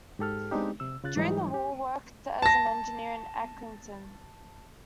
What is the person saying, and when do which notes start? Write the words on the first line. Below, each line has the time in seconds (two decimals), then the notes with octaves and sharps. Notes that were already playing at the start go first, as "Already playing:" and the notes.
During the war, worked as an engineer in Accrington.
0.19 G#2 G4 A4 F6
0.51 G#3 B3 C4 D4 D#4 G4
0.80 C3 E6
1.04 C#3 F4 F#6 A6
1.17 G#2 E3 F#3 G3 D#4
1.54 G4
2.42 A5 A#6